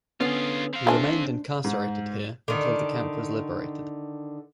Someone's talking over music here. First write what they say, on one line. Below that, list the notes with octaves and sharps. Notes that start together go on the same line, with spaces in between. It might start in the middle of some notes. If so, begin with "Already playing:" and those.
He remained incarcerated here until the camp was liberated.
D3 B3 C#4 F4 G#4
C4 F5
A3 D4 C5 G#5
G#2
D3 D#3